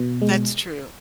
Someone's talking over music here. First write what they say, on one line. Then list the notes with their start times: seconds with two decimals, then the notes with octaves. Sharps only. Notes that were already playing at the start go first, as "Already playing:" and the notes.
That's true.
Already playing: B2
0.21 G#3